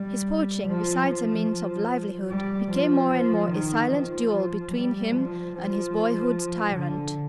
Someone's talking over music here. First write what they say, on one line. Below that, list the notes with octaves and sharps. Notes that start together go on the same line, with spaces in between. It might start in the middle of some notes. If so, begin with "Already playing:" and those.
His poaching, besides a means of livelihood, became more and more a silent duel between him and his boyhood's tyrant.
Already playing: G3
F3
F3
G3
F3
F3
D#3
F3
G3
F3
F3
D3